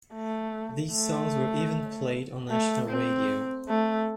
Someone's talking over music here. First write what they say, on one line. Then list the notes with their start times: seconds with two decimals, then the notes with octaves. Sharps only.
These songs were even played on national radio.
0.14 A3
0.93 A3
2.50 A3
2.90 C4
3.69 A3